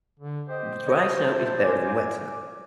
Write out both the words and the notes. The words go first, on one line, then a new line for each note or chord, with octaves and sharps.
D dry snow is better than wet snow.
D3
G4 C5 D#5
C#5 D#5
E4 A5
A#3 G#5 D6